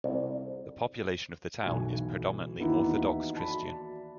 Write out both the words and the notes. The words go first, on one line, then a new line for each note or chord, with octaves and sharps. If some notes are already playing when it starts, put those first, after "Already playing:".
The population of the town is predominantly Orthodox Christian.
C2
B1 E3 F#4 G#5
D#2 B3 D#4 E4 G5
E5
F#4 D5 A5 B5